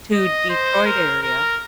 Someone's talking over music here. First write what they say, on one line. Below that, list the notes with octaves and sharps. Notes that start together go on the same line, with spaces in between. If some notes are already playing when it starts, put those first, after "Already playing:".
to Detroit area,
D#5
C5
A#4
A#4